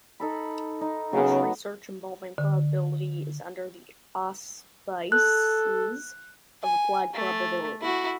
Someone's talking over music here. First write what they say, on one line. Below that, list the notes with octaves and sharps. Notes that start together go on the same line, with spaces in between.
Much research involving probability is done under the auspices of applied probability.
D#4 A4 B5
D#4
C#3 F#3 B3
D3
A4 F#6
G#5
A3
E4 F#4